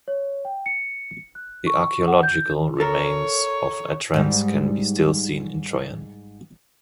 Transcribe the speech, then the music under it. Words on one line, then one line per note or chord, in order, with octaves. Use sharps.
The archaeological remains of Atrans can be still seen in Trojane.
C#5
G5
C#7
F#6
C#6
F#5
G6
A4 A#4 C#5
G#2 G3